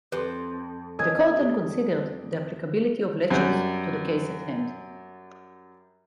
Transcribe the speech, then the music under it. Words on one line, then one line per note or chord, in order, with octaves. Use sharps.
The Court then considered the applicability of laches to the case at hand.
F2 G4 B4
A4 B4 C#5 D#5 G#5 D#6 G#6
G4
F#2 G3